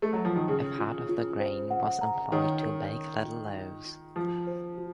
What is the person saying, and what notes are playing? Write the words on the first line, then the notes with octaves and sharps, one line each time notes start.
A part of the grain was employed to bake little loaves.
A3
F#3
F3
D#3
C#3 F4
F4
F4
C5
F#5
A#5
D#3 C#5
A#4
A#4
F4
F4
F4
F3 F#4
C5
F#4